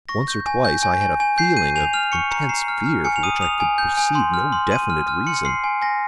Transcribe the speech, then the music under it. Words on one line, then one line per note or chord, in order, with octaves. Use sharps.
Once or twice I had a feeling of intense fear for which I could perceive no definite reason.
C#6 A#6
G6
G#5
G6
G#5
G#5
G#5
G6 C7
G6 D#7
G#5 F7
F6 F7
C#6 C#7
A#5 C#7
A#5 C7
F6
F6
G#5 C#7
F7
D#6 D#7
D#6 F7
G#5
G6
G#5
C6
F6
C6
C6 D#7
F6
F6
C6 C#7
C6 C7
G#5
G#5 A#6